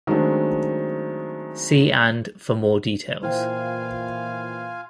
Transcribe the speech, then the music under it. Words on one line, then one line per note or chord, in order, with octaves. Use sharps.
See and for more details.
D#3 F#3 G#3 A3 C4 D4
A#2 E3 E4 F4 C5 F5 G5 G#5